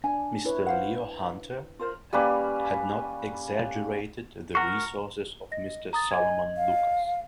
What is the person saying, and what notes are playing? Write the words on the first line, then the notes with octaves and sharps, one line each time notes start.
Mr. Leo Hunter had not exaggerated the resources of Mr. Solomon Lucas.
D4 G#5
E4 B4 C#5
C5 F5 F#5
F4 A#4 C5
G3 A#3 C#4 B4
F#4 A#4 F#5 C#6
D#5 A#6
A#5 D#6 A6
D#5 G#5 G#6
F5